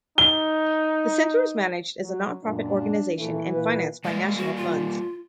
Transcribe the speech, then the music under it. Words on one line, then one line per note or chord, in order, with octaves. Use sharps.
The center is managed as a non-profit organization, and financed by national funds.
D#4 G7
F#3
F#2 A#2 D4
A#2 E3 A3
A#2 F4 B4
G3 G#3 A#3 D5
F#4
F4